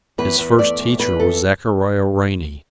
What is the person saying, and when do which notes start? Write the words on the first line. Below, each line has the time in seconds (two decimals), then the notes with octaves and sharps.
His first teacher was Zachariah Riney.
0.18 E2 B4
0.38 E2
0.58 A3 D5
0.79 E2
0.99 E2 B4
1.19 E3 A4